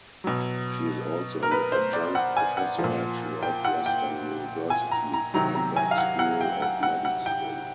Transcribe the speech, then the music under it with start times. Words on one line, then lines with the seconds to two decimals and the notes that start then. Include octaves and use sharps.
She is also an adjunct professor at Northwestern University Feinberg School of Medicine.
0.24 B2 F#3
1.43 A#4
1.51 B4
1.72 C5
1.93 D5
2.15 F#5
2.37 G#5
2.57 F#5
2.78 F3
2.84 A#2
3.43 G5
3.65 F#5
3.86 G5
4.70 G#5
4.91 A#5
5.14 A#5
5.34 C3 D#3 F#3 A#5
5.55 A#5
5.76 G#5
5.91 F5
5.98 F#5
6.19 F#5
6.41 G5
6.62 F#5
6.83 F#5
7.05 F#5
7.26 G5